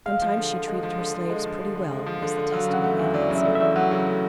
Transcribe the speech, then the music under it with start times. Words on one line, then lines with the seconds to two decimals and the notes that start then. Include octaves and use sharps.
"Sometimes she treated her slaves pretty well," was the testimony of Ansal.
0.06 G#3 F5
0.22 F3
0.37 D3
0.52 D3
0.68 G#3
0.83 F3
0.99 D3
1.14 D3
1.30 G#3
1.44 F3
1.61 D3
1.76 D3
1.91 G#3
2.06 F3
2.22 D3
2.37 D3
2.52 F#3 F5
2.68 C#3
2.74 F#5
2.84 A3
2.93 E5
2.99 E2
3.14 F#3 D5
3.30 C#3
3.35 E5
3.45 A3
3.55 E5
3.61 E2
3.76 F#3 F#5
3.91 C#3
4.07 A3